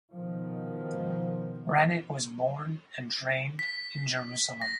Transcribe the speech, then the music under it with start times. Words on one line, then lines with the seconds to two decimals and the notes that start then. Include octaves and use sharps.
Granit was born and trained in Jerusalem.
0.13 B2 D#3 F3
3.59 B6
4.62 A#6